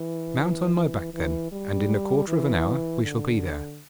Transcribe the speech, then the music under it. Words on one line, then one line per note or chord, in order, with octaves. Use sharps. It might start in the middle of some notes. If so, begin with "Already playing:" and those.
'Mount on my back, then, and in a quarter of an hour we shall be there.'
Already playing: E3
E3
E3
G3
E3
D3